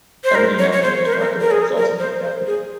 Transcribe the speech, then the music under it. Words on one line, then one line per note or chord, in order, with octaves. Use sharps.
Aberdeen Avenue in Toronto is also named after them.
C5
A#4
C#5
C#5
C5
A#4
C5
A#4
A#4
G#4
A#4
A#4
C5
C5
G#4